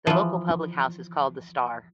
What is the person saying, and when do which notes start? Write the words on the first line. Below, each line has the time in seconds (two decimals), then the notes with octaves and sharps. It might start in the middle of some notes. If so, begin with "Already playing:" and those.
The local public house is called The Star.
0.07 E3 F3